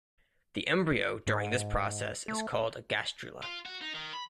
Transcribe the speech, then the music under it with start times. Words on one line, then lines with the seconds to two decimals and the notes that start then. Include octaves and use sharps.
The embryo during this process is called a gastrula.
1.27 G#2
2.28 A3
3.43 F4
3.66 F#4
3.81 D#4
3.95 D#3
4.14 B5